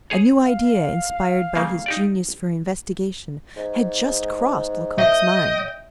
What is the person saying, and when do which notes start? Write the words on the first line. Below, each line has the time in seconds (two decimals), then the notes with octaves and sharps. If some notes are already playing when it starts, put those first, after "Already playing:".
A new idea inspired by his genius for investigation had just crossed Lecoq's mind.
0.10 G#4 C#5
0.42 F5
1.55 C#3 G3 A#3
1.86 D#4 G4 D5
3.56 G#2
4.98 D#5 E5 G5